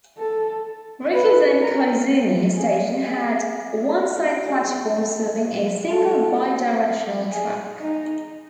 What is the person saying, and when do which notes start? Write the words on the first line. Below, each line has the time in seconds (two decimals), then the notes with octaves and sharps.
Rikuzen-Koizumi Station had one side platform serving a single bi-directional track.
0.18 A4
1.13 B4
1.61 A#4
2.56 G#4
3.03 G#4
4.46 G#4
4.94 A4
5.89 A4
7.31 G#4
7.80 D#4